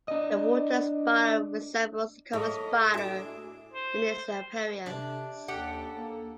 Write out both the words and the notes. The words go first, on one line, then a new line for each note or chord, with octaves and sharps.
The water-spider resembles the common spider in its appearance.
D4 D#5
A2 A#3 G#4 C#5 D#5 E5 G#5 A5
D4 E4 F#4 G#4 E5 D6
C5
C3 D4 A5
D#2 C#3 G4 A4 F#5 G5
A#3